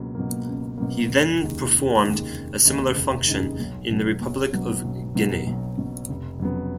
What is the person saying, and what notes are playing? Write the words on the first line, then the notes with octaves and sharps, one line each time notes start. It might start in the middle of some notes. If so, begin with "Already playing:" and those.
He then performed a similar function in the Republic of Guinea.
Already playing: C#2 B2 F#3 A#3
B2 F#3 A#3
C#2
B2 F#3 A#3
F1
D#2 C#3 G#3 D#4
F1
D#2 C#3 G#3 D#4
F1
D#2 C#3 G#3 D#4
F1
D#2 C#3 G#3 D#4
B1
B2 F#3
B1
B2 F#3
B1
B2 F#3
B1
B2 F#3
F1
F2 C#3 F#3 B3